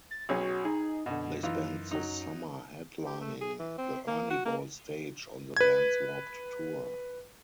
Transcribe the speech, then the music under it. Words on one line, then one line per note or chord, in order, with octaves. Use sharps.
They spent the summer headlining the Ernie Ball stage on the Vans Warped Tour.
A6
B1 C#4 F#4 G#4
D#4 G#4
F#2 B2 D3
E3 D#4 F4
F#3 D#4
G4
A3
G#4
E3
C4
A#3
F#4
A#3
B4 G#6